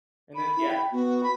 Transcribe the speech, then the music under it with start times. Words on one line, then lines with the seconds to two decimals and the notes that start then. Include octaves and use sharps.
and it yeah.
0.34 B5
0.56 E4
0.68 G5
0.91 B3 F#4
1.23 B5